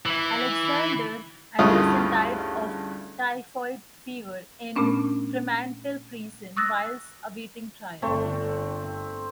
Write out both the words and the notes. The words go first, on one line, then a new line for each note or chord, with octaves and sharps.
Alexander Anderson died of typhoid fever in Fremantle Prison whilst awaiting trial.
E3 E4
D2 G2 C#3 E4 F4 D#6
A#2 A3 B3 C#4 D4
C#6 D#6 E6 F#6 A6 A#6
G1 D3 A3 C4